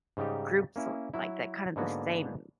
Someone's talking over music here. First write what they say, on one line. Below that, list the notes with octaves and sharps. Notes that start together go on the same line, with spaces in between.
groups, like, that kind of the same
G#2 C#3 G3 D#4 G4
A#3 C#4 E4
F#3 E4
G#2 D3 A#3 B3 F#4